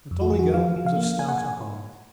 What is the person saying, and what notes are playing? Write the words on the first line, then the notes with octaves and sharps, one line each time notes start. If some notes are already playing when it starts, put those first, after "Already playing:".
But Don Miguel was of stouter heart.
F2
F#4
F3 G#4
F#4
F3 F5
F3
F5
A#3
A#3 G#5
F#5
G#5